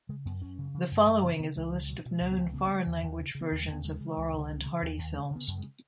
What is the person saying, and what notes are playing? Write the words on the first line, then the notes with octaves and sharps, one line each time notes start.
The following is a list of known foreign-language versions of Laurel and Hardy films.
C#3 G#3
F#2 B3
F#2 C#4
C#3
C#3
F#2
F#2
C#3 B3
C#3 B3
C#2 G#3
C#2 D#3
B2 F#3
B2
G#3
C#2
B3
C#2
C#3 B3
B3
C#3 G#3
D#2
D#3
D#2
C#3
C#3
B3
D#2
G#3
D#2 B3
C#3 G#3
C#3
C#2
C#2
C#3
C#3
D#2
D#2
C#3 G#3
C#3 B3
F#2
G#3